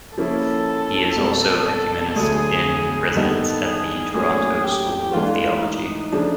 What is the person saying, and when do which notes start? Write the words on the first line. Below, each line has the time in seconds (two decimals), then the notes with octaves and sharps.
He is also Ecumenist in Residence at the Toronto School of Theology.
0.17 C#3 F3 A#3 C#4 E4 A4
1.16 C#2 B2 G3 C4
1.66 A4
2.16 D2 D3 F#3 G#4
3.15 G2 D#3 G3 B3 D#4 A4
3.64 G#4
4.14 A2 F#3 A#3 C#4 G#4
4.63 G4
5.13 G#2 E3 A3 D4 F4
5.63 D#4
6.12 C#3 F3 A3 D4